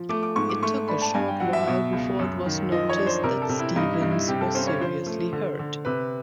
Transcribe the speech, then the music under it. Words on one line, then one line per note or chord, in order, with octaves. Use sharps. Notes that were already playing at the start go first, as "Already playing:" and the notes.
It took a short while before it was noticed that Stevens was seriously hurt.
Already playing: F3
A3 D6
D6
G#2 C#6
D6
A3 C#6
D4 B5
A5
G2 G#5
G5
F#3 F#5
E5
B2
C#2
F#2
D#3
F3 D#5
C#5
D4
C5
C3 A#4
A4
C3
E4
G2 D#4
E4
G2
E4
C3 G4
A4
C#4 C5
C#5
F3 C5
A3
D3
D3
C3 B4